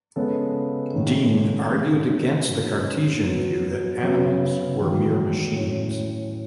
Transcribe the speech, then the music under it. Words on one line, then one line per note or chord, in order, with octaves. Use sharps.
Dean argued against the Cartesian view that animals were mere machines.
C#3 G#3 B3 A4
G#2 D#3 A3 C#4
E2 C#3 E3 G#3 G#4
G#2 F#3 C#4
B2 F#3 B3
F#2 C#3 F#3 B3
E2 D#3 F#3 G#4
A2 F#3 C#4